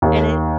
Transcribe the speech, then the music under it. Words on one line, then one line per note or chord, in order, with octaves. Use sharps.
and it
D#2